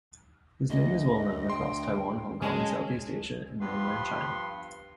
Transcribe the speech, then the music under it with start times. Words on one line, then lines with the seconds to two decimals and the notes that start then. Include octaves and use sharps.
His name is well known across Taiwan, Hong Kong, Southeast Asia and mainland China.
0.70 D2 D#5
1.50 G5 C6
2.42 F#2 G#3 C#4 G#4 A5
3.61 G2 F3 B3 B5 C6